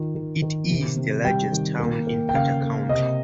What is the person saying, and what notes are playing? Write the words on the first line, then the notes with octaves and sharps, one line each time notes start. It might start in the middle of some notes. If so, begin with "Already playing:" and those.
It is the largest town in Carter County.
Already playing: D#3 F4
D#3
D#3
C3
C3
G3 G5
D#3
A#3
A#3
G5
C#3 F5
A#3
C3 D#5